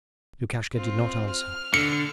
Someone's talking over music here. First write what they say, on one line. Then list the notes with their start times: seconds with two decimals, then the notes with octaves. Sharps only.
Lukashka did not answer.
0.76 C4 F4
1.30 F6
1.74 D3 C#7